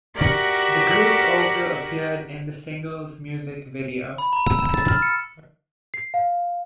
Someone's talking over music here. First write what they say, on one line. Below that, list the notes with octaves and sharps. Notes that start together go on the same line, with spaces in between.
The group also appeared in the single's music video.
F#4 G4 A#4 D5 E5 F#5
B5
A#5
E6
E7
A6
F6
C#7
C7
F5